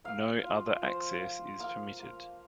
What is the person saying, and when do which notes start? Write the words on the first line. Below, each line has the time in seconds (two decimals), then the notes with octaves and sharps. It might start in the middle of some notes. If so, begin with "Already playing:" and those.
No other access is permitted.
0.04 A#3 F5
0.43 F4
0.82 F3 C5
1.21 F4
1.59 A#3 F5
1.99 A#3